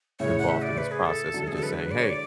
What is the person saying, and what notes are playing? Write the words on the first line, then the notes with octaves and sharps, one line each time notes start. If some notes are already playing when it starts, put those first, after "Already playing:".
involved in this process, and just saying, "Hey,
A2 C#3 C#5
F#5
E5
D5
B4
G#4
A4
D3 F#3
E3 G#3
G#4
D3 F#3 A4
B4
D5
C#5
D5